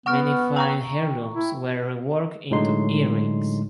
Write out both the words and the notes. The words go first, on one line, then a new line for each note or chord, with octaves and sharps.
Many fine heirlooms were reworked into earrings.
B3 F#5 C#6 F6
G5 A#5 C#6
E4
A2 D3 F#3 G#3 D#4 C6